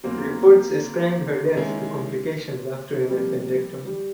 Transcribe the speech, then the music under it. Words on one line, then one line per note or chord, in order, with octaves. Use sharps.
Reports ascribed her death to complications after an appendectomy.
E2 C#3 F#3 A#3 C4
D#3 G#3 C#4 E4
C3 F3 G3 A#3
G3